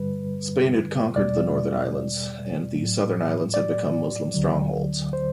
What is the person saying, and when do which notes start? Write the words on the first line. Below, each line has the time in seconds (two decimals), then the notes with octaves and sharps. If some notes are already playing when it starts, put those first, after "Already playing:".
Spain had conquered the northern islands, and the southern islands had become Muslim strongholds.
Already playing: G2 D3 G3 B4
1.16 E2 B2 G3 D5
2.74 A2 F#3
3.54 D5
4.34 D2 D3 F#3
5.13 C5